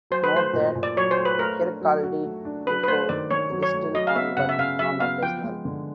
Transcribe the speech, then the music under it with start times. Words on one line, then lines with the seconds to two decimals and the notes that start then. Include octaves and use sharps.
Note that Kirkcaldy depot is still owned but non-operational.
0.11 F#3 C5
0.24 B4
0.33 A3 C5
0.53 A#2
0.75 A#2
0.83 D5
0.96 F#3 C#5
1.11 C5
1.18 A3
1.25 B4
1.39 A3 A#4
1.60 D4
1.81 F#3
2.03 F#4
2.24 A3
2.45 D4
2.66 F#3 B4
2.83 B4
2.88 A3 C5
3.09 D#3 D5
3.31 D#3 C#5
3.51 F#3
3.63 C#5
3.73 A3
3.94 F#3 D#5
4.07 F5
4.15 B3 E5
4.37 C#3 F#5
4.49 E5
4.58 C#3 F5
4.79 F#3 E5
5.00 B3 F5
5.22 F3 G5
5.44 G#3
5.65 D3